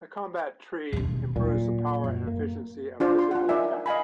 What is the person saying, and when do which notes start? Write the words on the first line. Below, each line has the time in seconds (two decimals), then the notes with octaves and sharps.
The Combat tree improves the power and efficiency of physical attacks.
0.93 E1 D#2
1.36 A#2 F#3
2.04 F#2
2.27 A#3
3.00 D4 F4 C5 D5
3.15 F4 C6
3.31 F4 F#5
3.49 D#4 A#4 D5 E5 G#5
3.86 D#5 F5 G#5 B5